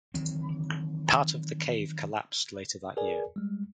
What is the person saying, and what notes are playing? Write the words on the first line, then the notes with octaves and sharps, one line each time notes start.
Part of the cave collapsed later that year.
D#3 E3 F#3 C4
G#4 A#4 B4 D5 G#5
G3 G#3